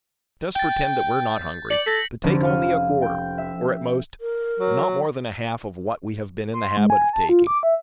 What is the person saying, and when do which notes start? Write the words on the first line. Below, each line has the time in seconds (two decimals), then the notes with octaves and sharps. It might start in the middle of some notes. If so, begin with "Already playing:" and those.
Just pretend that we're not hungry, but take only a quarter, or at most, not more than a half of what we have been in the habit of taking.
0.55 G5 G6 A6
1.70 D5 C#7 F#7
1.86 A4 A#6 B6
2.23 F1 D3 C#4 C5 D5
2.43 F5 C#7 D#7
3.02 G5
3.38 E5
4.21 A#4
4.59 F#3
6.53 C6
6.77 G#3
6.90 G#5
7.13 A5
7.29 F4
7.47 D6
7.63 E5